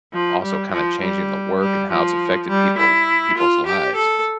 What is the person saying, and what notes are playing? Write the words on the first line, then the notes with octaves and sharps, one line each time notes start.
also kind of changing the work and how it's affected people people's lives
F3
G3
F3
G3
G3
F3
G3
E4
F4
G4
A4